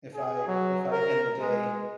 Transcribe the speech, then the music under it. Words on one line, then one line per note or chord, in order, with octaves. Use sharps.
if I if I end the day
G#4
F#3
A#4
G#3